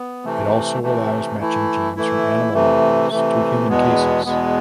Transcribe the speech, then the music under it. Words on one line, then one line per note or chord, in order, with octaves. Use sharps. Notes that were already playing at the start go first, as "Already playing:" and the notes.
It also allows matching genes from animal models to human cases.
Already playing: B3
C3 E3 A3
C3 E3 A3
E3 A3 E4
E3 A3 E4
C3 E3 A3
C3 E3 A3
E2 B2 G#3 B3
E2 B2 G#3 B3